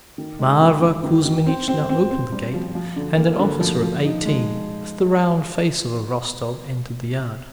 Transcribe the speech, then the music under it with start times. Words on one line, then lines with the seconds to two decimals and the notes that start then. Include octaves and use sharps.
Mavra Kuzminichna opened the gate and an officer of eighteen, with the round face of a Rostov, entered the yard.
0.18 D#3
0.39 G#3
0.61 D#3
0.82 D#3
1.04 D#3
1.25 D#3
1.46 C4
1.68 C4
1.89 C4
2.11 C4
2.32 G2
2.54 F3
2.75 F3
2.96 D3
3.18 A#3
3.39 D3
3.61 F3
3.82 F3
4.03 D#4
4.25 G#3